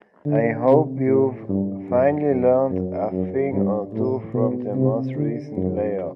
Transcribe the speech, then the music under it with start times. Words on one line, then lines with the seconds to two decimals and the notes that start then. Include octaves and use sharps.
I hope you've finally learned a thing or two from the most recent layoff.
0.26 D3
0.66 C3
1.07 A2
1.49 G2
1.89 F#2
2.30 F#2
2.71 F#2
3.12 F#2
3.53 G2
3.93 A2
4.34 B2
4.75 C3
5.16 D3
5.57 F#2